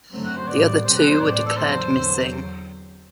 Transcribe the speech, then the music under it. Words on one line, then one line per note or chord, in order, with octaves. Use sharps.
The other two were declared missing.
F#2 D3 F#3 A3 C4
F#4
C5
A2 G3 B3 D5
E2 B2 F#3 C4 C5
B4
C5
A2 E3 A3 D5
D5
A4
E2 D3 F#3 C5
E2 D3 F#3 C4